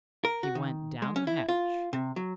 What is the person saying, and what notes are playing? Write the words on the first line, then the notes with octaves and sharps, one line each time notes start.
He went down the hatch.
A#4
F#4
D#3
G#3
C#4
E4
F4
C3
F#3